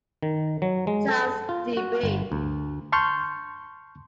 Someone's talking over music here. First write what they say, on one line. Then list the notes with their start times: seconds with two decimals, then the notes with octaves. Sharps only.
Charles D. B.
0.23 D#3
0.62 F#3
0.87 G#3
1.09 A4
1.49 F4
1.77 F#4
2.03 G1
2.32 D2
2.92 A5 C6 C#6 F6 G6